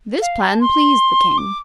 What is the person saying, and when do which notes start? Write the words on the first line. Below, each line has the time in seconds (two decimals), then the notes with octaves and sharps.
This plan pleased the King.
0.21 F5
0.41 C6
0.45 A5
0.61 C6
1.37 D6